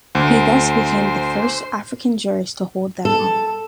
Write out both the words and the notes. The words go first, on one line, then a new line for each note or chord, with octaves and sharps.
He thus became the first African jurist to hold that honour.
D2 C5
A4